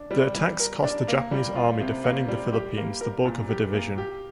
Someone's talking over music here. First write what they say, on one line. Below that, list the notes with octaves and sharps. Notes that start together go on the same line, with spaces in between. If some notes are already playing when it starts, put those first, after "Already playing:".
The attacks cost the Japanese army defending the Philippines the bulk of a division.
Already playing: D4
G3
G3
A#4
D4
A#3
G3
F4
C3
A#3
G3
G4
A#3
A#4
A#2
G4
A#3
G4